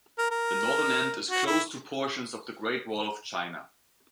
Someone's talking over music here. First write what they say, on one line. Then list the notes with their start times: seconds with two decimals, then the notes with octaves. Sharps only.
The northern end is close to portions of the Great Wall of China.
0.18 A#4
0.31 A#4
1.30 F#4
1.46 E4